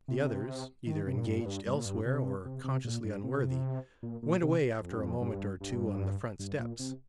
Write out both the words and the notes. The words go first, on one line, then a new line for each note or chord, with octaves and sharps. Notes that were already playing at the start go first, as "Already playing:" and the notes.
The others--either engaged elsewhere or consciously unworthy--went away after a moment or two on the front steps.
C3
D#3
C3
A#2
G2
A#2
G2
G2
A#2
G2
C3
C3
C3
A#2
G2
C3
A#2
A#2
C3
F2
G2
F2
G2
G2
G2
A#2
C3